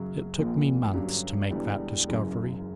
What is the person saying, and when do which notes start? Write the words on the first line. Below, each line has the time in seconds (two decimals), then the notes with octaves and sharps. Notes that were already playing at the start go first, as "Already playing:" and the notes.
It took me months to make that discovery.
Already playing: F#2 C#3 F#3
0.38 A#1 A#2 A#3
0.93 G2 D3 F#3 C#4 G4
1.50 E1 E2 D3 G3 B3
2.08 F#1 F#2 C#3 E3